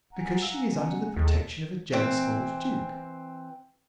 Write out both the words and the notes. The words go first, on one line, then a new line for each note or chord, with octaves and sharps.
"Because she is under the protection of a jealous old duke."
F#5 G#5 A#5
F5 E6
C#3 B3 C#4
D#2 E4 G#4 A4
E3 C4